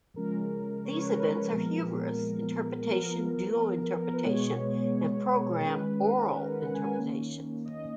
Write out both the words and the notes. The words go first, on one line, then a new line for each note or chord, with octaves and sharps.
These events are Humorous Interpretation, Duo Interpretation, and Program Oral Interpretation.
C#3 F3 G#3 C#4 A#4
C#5
B4
A#4
B4
A#2 F3 G#3 B3 A#4
F3 B3 A#4
A#4
B4
B2 G#3 B3 C#5
D#3 G#3 C#4 B4
A#4
F#5
G#5
D#3 A#3 C#4
D#5